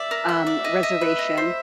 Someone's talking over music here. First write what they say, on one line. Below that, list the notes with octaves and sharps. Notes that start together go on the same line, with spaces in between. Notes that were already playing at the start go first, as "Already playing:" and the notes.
um, reservation,
Already playing: D5 E5
A#4
F#5
D5
D#5
D#5
B4
D#5
C5